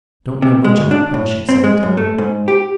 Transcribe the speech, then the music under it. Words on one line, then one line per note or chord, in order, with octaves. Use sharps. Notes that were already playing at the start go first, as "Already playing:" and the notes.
"I don't know much about punishing," said the tailor.
C3
G#3
D2
D4
A2
C4
G#3
F#2
A3
G#2
G4